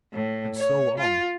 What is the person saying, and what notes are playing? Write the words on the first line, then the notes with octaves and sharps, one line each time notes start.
And so on.
A2
C#5
F4